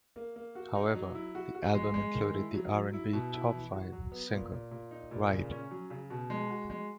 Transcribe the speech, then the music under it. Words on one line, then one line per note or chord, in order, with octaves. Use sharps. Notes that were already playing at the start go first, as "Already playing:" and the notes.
However, the album included the R and B top-five single "Ride".
A#3
A#3
F#4
D#4
F#3
E4
F#4
F#4
G#3
G#3
D#3
E4
F#3
F#3
E4
B2
E4
E3
F#4
F#3
B3
A#2
A#2
A#2
D#4
A#2
C#3
C#4
F#3
C#3
B2
G#3
F#4
G#3